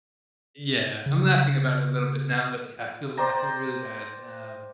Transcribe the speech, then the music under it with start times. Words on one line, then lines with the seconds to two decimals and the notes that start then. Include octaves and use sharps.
Yeah, I'm laughing about it a little bit now, but y I feel I feel really bad, um,
1.06 C#3
3.17 C5 D5 G5 A#5